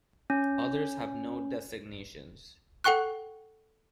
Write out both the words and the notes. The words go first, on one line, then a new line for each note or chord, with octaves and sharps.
Others have no designations.
C#4
A4 F#5 G5 C#6 F#6